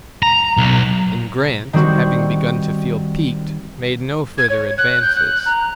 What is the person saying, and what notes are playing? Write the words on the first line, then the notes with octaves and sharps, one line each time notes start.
And Grant, having begun to feel piqued, made no further advances.
A#5
B1
D#3 G3 C4 F#4
G#6
C#5
F#6
G6
F#6
A#5